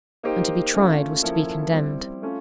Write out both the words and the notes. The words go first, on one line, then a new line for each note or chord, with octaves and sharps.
And to be tried was to be condemned.
A#3 D#4 G4 C5
A3 C#4 F4
F3 A#3 C#4 E4 A4
G3 C4 E4
A3 C#4 F4